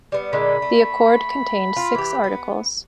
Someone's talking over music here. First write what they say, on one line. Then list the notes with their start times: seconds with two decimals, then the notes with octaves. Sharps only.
The accord contained six articles.
0.12 G3 B3
0.33 A#2 D3 G#3 B5
0.62 A3
1.77 F4
1.95 E3 G4
2.24 B3